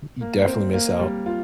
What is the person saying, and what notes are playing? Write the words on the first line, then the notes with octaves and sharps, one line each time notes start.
Y you definitely miss out.
A#3
C4
A#3
G3
F4